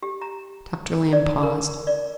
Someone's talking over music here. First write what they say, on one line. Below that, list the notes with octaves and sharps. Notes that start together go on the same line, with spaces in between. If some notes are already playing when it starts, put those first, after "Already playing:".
Dr. Lamb paused.
G4
A#5
D5
A#4
D5